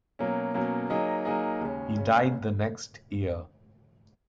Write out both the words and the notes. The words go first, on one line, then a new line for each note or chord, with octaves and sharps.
He died the next year.
B2 F#3 A#3 C#4
B2 F#3 A#3 C#4
F#3 A#3 D#4 G#4 D#5
F#3 A#3 D#4 G#4 D#5
D#2 C#3 G#3 C#4
C#3 G#3 C#4